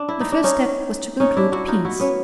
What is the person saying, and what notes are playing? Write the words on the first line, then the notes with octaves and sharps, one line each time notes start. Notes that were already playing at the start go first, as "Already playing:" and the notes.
The first step was to conclude peace.
Already playing: D4
E4
D#4
D4
C#4 D#4
C#4 D#4
D4 E4
E4 F#4
D#4 F4
E4 F#4
B3 C#4